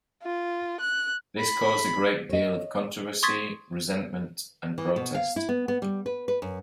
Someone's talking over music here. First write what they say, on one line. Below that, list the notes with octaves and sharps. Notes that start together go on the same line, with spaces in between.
This caused a great deal of controversy, resentment and protest.
F4
F#6
B5
C#5 D#5
C6 C#6 D#6 G#6 A6 B6
E3
B2
F5
E4
B3
B3
G3
B4
B4
F#2